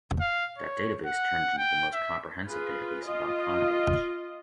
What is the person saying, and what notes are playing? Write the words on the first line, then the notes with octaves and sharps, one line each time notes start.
That database turned into the most comprehensive database about condors.
F5
C#5
F#5
G5
E5
F4 G#4 B4
F4 D#5